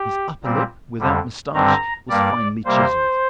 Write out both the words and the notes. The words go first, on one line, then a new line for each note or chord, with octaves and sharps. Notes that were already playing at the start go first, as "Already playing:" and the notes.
His upper lip, without moustache, was finely chiselled.
Already playing: G4
A#2 G3 C4
F2 D3 G3
G2 D3 G3 C4 A#5
G2 G3 A#3 D5
C3 G3 A#3 C5